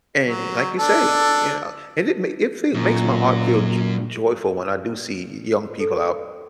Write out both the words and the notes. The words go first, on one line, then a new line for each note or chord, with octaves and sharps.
and, like you say, you know, and it ma it feel makes my heart feel jo joyful when I do see young people out
F#3
D4 A4
F#2 A#2
A4